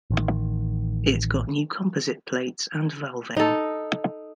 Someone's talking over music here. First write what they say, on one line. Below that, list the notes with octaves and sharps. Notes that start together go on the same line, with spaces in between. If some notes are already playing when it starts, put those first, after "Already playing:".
It got new composite plates and valving.
A1 D#3
D#4 A4